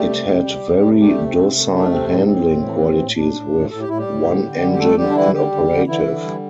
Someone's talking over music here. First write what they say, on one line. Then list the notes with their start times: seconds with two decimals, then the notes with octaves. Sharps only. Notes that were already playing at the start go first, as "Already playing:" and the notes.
It had very docile handling qualities with one engine inoperative.
Already playing: G3 A3 G4
0.09 C3
0.27 C3
0.46 C3
0.63 C3
0.82 C3
1.00 G3 A3 G4
1.18 C3
1.27 C4
1.36 C3
1.55 A3
1.72 A3 D4
1.90 C3 C4
2.08 A2 C4
2.16 D4
2.24 A2 C4
2.44 A2
2.62 E3
2.81 A2
2.98 A2
3.16 A2 D4
3.35 A2
3.53 A2
3.71 A2 A4
3.80 G4
3.89 A2 E4
3.98 G3 G4
4.07 A2
4.25 D3
4.42 D3
4.62 G3
4.72 G4
4.79 G3 A3 A4
4.97 D3 G3 G4
5.10 D4
5.15 E3 G3 E4
5.33 D3 G3 G4
5.51 D3
5.69 D3
5.87 D3 E3 E4
6.06 D3
6.23 G3